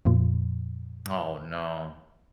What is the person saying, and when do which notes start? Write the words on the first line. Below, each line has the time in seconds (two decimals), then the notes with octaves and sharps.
Oh no.
0.05 F2 A#2 F3